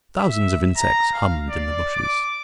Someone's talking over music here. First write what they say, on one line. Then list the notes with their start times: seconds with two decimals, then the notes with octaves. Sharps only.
Thousands of insects hummed in the bushes.
0.20 E5
0.77 A#5
1.14 F5
1.49 D5
1.95 D6